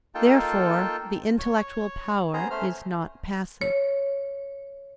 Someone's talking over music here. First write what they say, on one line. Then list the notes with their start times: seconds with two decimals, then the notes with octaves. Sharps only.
Therefore the intellectual power is not passive.
0.15 A#3 D#4 F4 A4 G5 A5
1.39 C#5
2.34 B3 C#4 G#4 C5 A#5 D#6
2.50 A3 C#4 C5 F6
3.61 C#5